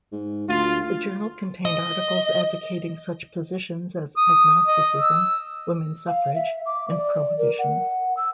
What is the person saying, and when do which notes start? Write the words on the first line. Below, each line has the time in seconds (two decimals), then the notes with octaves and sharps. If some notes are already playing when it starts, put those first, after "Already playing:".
The journal contained articles advocating such positions as agnosticism, women's suffrage, and prohibition.
0.12 G#2
0.48 D2 F4
1.65 D#5
4.17 D#6
4.67 D#5
4.98 E6
6.07 F5
6.35 E5
6.66 D6
6.91 D5
7.38 A#4
7.59 F#5
8.17 E6